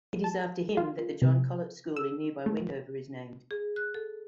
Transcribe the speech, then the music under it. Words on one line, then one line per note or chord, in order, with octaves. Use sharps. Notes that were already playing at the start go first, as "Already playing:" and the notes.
It is after him that the John Colet School in nearby Wendover is named.
A5
F4
C3
E6
A3
G#4
F#6
A4